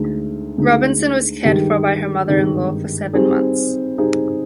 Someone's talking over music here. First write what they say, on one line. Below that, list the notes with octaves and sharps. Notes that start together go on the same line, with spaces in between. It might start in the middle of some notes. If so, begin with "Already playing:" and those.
Robinson was cared for by her mother-in-law for seven months.
Already playing: D2 D3 G#3 D#4
D2 D3 G#3 D#4
G2 D#3 G#3 D#4 G4
G2 D#3 G#3 D#4 G4
G3 C4 D#4 G#4
G3 C4 D#4 G#4